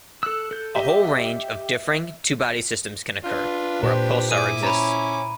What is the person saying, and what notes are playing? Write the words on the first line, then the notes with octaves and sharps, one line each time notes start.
A whole range of differing two-body systems can occur, where a pulsar exists.
A4 E6 F#6
A4 G6
G4 D#5 E5
D4 F4 B4
A#2 G4 C5
E4 G#4 D6 D#7
C#4 A#5 B5